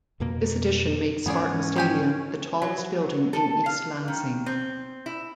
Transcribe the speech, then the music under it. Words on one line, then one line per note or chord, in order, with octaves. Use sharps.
This addition made Spartan Stadium the tallest building in East Lansing.
F2 B2 A#3
G#2 E3 B3 C#4 G#4 D5
G#3 G4 G#5
F#3
A4
F5
D#3
C4
E4